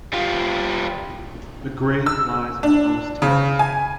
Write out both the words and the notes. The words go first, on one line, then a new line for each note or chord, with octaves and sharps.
The grave lies on the lowest terrace.
G3 F4
E6
D4
C#3
G#5